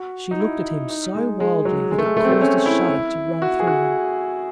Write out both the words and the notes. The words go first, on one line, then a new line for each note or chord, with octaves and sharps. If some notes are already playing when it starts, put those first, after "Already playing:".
She looked at him so wildly that it caused a shudder to run through him.
Already playing: F#4
D#4
E4
D#4
G#3
G#3
F#3
G#3
A3
G#3
A3
C4
A3
C#4
E4
F#4
G#4
F#4